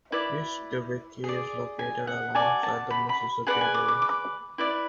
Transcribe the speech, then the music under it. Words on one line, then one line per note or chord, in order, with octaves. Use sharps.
East Dubuque is located alongside the Mississippi River.
E4 B4 D5
G#4 D5
G#5
F#5
F#4 A4 D5 G#5
A5
B5
B5
G#4 B4 D5 F#5
G#5
D6
D6
D6
E4 B4 D5